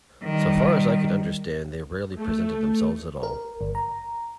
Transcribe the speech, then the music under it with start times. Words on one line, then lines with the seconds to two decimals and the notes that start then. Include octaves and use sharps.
So far as I could understand, they rarely presented themselves at all.
0.23 D#3 G3
2.17 A3
3.23 A#4
3.61 G1
3.75 A#5